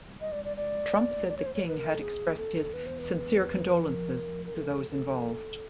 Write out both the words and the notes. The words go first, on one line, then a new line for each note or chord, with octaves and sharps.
Trump said the king had expressed his "sincere condolences" to those involved.
D#5
D5
D5
D5
D5
C#5
C5
C#5
B4
A#4
A4
G#4
A4
B4
C5
B4
A#4
A#4
A4
A4